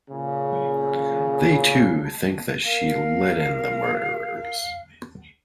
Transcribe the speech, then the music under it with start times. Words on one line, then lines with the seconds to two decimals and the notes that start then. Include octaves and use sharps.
They, too, think that she let in the murderers.
0.10 A#2 C#3
2.65 A#4 F5